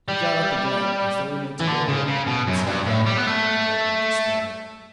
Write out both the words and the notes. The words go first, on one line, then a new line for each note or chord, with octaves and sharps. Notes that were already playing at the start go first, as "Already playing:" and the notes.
He got up again as though he meant to go away, but sat down again in evident despair.
G3
E3
D3
C#3
C#3
B2
F#2
G2
A2
G3
B3
A3